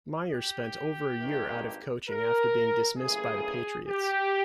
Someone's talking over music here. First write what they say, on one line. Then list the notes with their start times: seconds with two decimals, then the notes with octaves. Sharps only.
Meyer spent over a year out of coaching after being dismissed by the Patriots.
0.31 G4
1.20 G#1 G2 D#3 A#3
2.09 A#4
2.98 G1 G2 E3 A#3 C#4 G#4
3.88 G4